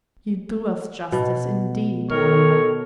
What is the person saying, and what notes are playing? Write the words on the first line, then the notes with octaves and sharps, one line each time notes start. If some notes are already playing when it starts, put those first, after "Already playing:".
You do us justice, indeed.
B2
D#3 A4 A#4 C#5